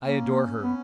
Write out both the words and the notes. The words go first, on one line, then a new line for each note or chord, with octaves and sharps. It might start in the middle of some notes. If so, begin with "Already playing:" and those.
"I adore her!"
A#3 C#4
B3